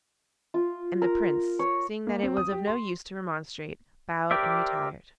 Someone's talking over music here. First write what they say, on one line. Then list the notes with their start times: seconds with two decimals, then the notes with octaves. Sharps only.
And the Prince, seeing that it was of no use to remonstrate, bowed and retired.
0.54 F4
1.02 A#4
1.59 C#5
2.07 A#3
2.23 C4
2.37 D#6
2.52 G4
2.67 C6
4.31 G4 A#4 C5 D5 E5